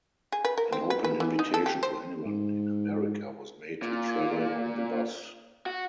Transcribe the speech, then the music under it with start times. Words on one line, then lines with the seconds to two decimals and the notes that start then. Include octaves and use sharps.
An open invitation to anyone in America was made to travel on the bus.
0.32 G#4
0.45 B4
0.58 A#4
0.72 C4
0.90 B4
1.04 B4
1.20 E3
1.39 D#4
1.54 A4
1.66 G4
1.83 C5
2.25 G#2
3.82 A#2
5.66 F#4